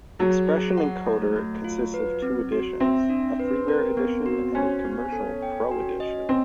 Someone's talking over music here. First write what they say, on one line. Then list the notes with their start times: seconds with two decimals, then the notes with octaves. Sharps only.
Expression Encoder consists of two editions: A freeware edition and a commercial Pro edition.
0.19 F#3 G#4
0.49 G#4
0.78 F#5
1.06 A3
1.36 A3
1.64 F4
1.94 B4
2.22 C4
2.52 F#4
2.80 C4 E5
3.10 D4
3.40 B4
3.68 A#4
3.97 B3
4.26 F#4
4.55 C#4 C5
4.85 B3
5.12 A4
5.42 G5
5.71 F#4
6.00 D#5
6.29 C4